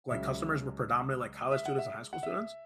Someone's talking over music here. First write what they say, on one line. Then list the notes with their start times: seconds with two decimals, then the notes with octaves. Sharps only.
like customers were predominantly like college students and high school students.
0.10 C#2 C#3 F#3 C#4 E5
1.51 E5
1.66 F#5
1.78 E5
2.13 F#5
2.23 E5